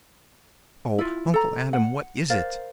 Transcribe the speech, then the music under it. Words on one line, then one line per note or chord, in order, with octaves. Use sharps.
"Oh, Uncle Adam, what is it?"
E4 F4
A4 A#5
F#5
A#4 C5 D5 F5